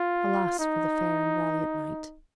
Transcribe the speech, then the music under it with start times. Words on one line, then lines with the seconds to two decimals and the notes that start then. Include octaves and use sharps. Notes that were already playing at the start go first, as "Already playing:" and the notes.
Alas, for the fair and valiant knight!
Already playing: F4
0.59 D#4